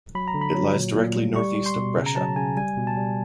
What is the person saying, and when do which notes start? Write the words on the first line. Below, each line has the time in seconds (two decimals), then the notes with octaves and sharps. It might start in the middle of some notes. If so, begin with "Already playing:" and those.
It lies directly northeast of Brescia.
0.15 F#3 B5
0.28 A#5
0.34 D3
0.41 B5
0.55 F#3
0.76 A#2
0.95 A#2
1.16 G3
1.36 G3 C#6
1.56 G3
1.66 C6
1.76 B2
1.96 C#3
2.06 A#5
2.16 F#3 A5
2.36 C#3 G#5
2.57 G3 G#5
2.77 B2
2.87 A5
2.97 G3